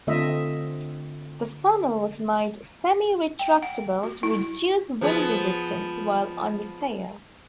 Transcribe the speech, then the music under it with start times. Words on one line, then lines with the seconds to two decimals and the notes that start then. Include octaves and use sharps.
The funnel was made semi-retractable to reduce wind resistance while under sail.
0.07 D3 A3 C4 F4 D#5 E5
3.39 G5
3.63 F#5
4.03 F#4
4.23 E4
5.01 F3 B3 G#4